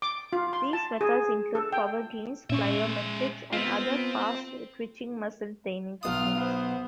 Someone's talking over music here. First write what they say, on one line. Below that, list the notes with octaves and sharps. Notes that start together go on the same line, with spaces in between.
These methods include power cleans, plyometrics, and other fast twitching muscle training techniques.
D6
F4
C6
A5
G#4
A4
G5
A#2 G#3 C#4 E5 C#6
B3 C4 F4
B1 F4 D#6 F6
B3 C5